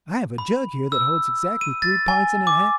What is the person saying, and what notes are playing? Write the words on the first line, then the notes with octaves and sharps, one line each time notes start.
I have a jug here that holds exactly three pints and a half.
B5
E6
D#7
A6
G#5
D6